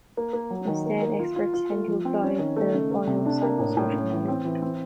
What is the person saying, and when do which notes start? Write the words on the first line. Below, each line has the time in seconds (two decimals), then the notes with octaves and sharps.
Instead, experts tend to apply the biopsychosocial model.
0.17 A#3
0.33 A#3
0.50 F#3
0.68 D#3
0.86 A#3
1.02 A#3
1.20 F4
1.36 F4
1.54 F4
1.72 A3
1.87 F3
2.05 C4
2.23 C#4
2.39 D#3
2.56 A3
2.74 C#3
2.91 A3
3.07 C3
3.26 D4
3.43 A#3
3.59 A2
3.77 A2
3.93 C#4
4.11 E3
4.28 C4
4.45 E3
4.62 C4